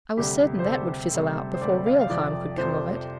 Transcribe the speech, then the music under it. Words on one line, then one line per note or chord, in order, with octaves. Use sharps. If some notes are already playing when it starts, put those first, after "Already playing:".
I was certain that would fizzle out before real harm could come of it.
D2 C3 G3 G4
C5
D2 C3 G3 A4
D2 C3 G3
C5
D2 C3 G3 D5
F5
F5
F2 C3 F3 D5
F2 C3 F3 C5